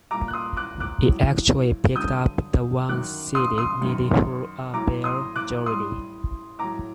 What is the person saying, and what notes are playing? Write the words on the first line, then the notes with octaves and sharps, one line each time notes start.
It actually picked up the one seat it needed for a bare majority.
A#2 G3 A#5 D6
F#6
C6 D#6
D6 F#6
D6 F#6
A2 F#3
G2 D3 F#3 D#6 G6
F#2 D#3 F#3 D6 F#6
C6 D#6
C6 D#6
F#2 D#3 F#3
A2 F#3 A#5 D6
C6 D#6
D6 F#6
A2 G3 C6 D#6
A2 F#3 A#5 D6